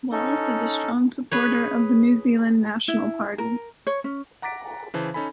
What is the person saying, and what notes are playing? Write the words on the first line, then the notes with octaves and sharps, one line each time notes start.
Wallis is a strong supporter of the New Zealand National Party.
C#4 D#4 A4
G#4 B4 C#5
E4
A#4
C#5
C#4
F#5 A#5 D6 A6 B6 D7
C#3 E3 C5 A5
C#4 D#4 A4 G#5 B5